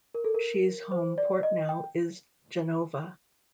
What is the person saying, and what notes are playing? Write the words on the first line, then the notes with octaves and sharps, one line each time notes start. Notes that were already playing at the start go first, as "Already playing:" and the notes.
She's home port now is Genova.
A#4
A4
A#4
C5
D5
D#5
G5